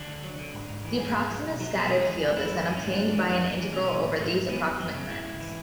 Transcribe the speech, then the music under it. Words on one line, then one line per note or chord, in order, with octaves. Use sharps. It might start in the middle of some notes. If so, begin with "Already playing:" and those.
The approximate scattered field is then obtained by an integral over these approximate currents.
Already playing: D3 D4
D2
F#3
D3
G#2
G#2
E3
G#2 G#4
G#2
F#3
B1
F#3
B2 A4
E2 G#4
E3
C#3
F#2 E4
F#2
E3
C#4
G#2 D4
G#2
E3
F#2
F#2
E3
B1 C#4
E3
A2
G#2 A3
G#2
E3 B3
F#2
F#3
C#3
G#2 E4
G#2
E3